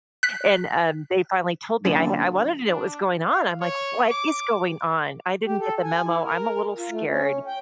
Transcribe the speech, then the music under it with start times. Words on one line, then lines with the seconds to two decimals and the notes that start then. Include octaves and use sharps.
and, um, they finally told me I ha I wanted to know what was going on, I'm like, "What is going on? I didn't get the memo, I'm a little scared,"
0.23 F#6 B6
1.85 F#2 A#2 D3
2.68 D4
3.26 F5
3.60 C#5
4.11 D6
5.46 G4
5.59 A4
5.84 G#5
6.04 E4
6.23 A#4
6.77 F4
6.90 A3
7.08 C#4
7.47 G5